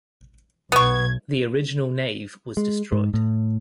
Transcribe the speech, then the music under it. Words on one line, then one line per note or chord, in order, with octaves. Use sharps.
The original nave was destroyed.
B1 B3 C#6 G#6
G#3
G#2
A2